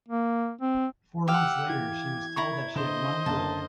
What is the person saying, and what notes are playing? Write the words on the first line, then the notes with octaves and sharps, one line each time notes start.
Four months later, she was told that she had won the role.
A#3
C4
G4 F5 F#5 E6
E3 G#6
E4 A#5 C#6
D3 C5 D#5 E7
F#1 D3 A5